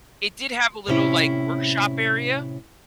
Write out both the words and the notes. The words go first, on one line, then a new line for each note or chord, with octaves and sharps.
It did have a little, like, workshop area
A2 C3 C#4 E4